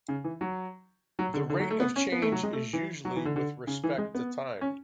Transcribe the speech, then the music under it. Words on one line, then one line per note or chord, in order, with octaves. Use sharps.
The rate of change is usually with respect to time.
C#3
E3
F#3
F#3
D3
D3
F#3
A3
B3
C#4
B3
A3
F#3
G#3
A3
E3
F#3
E3
D3
D3
C#3
E3
G#3
B3
C#4